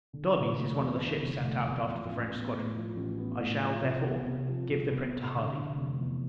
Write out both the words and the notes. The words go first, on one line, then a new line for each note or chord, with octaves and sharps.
Darby's is one of the ships sent out after the French squadron; I shall, therefore, give the print to Hardy.
D3
F1
A3
E2
D3
F1
A3
E2
F3
A1
B3
A2
F3
A1
B3
A2
F3
C2
B3
C3
F3
C2
B3
C3
D3
F1
F1
E2